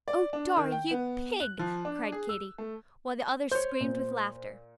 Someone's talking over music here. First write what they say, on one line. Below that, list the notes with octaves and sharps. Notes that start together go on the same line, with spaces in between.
"Oh, Dorry, you pig!" cried Katy, while the others screamed with laughter.
D5
D4
D#3
G5
B3
F#6
F3
D4
G#4
E6
A3
C5 C#5 G6
A#2